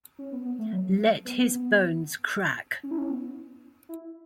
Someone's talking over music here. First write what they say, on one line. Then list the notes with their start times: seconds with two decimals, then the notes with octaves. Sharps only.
Let his bones crack.
0.19 C#4
0.32 B3
0.45 B3
0.59 A3
0.72 F#3
0.98 A3
1.25 B3
1.51 B3
2.83 C#4
2.91 E4
2.98 C#4
3.10 B3
3.89 E4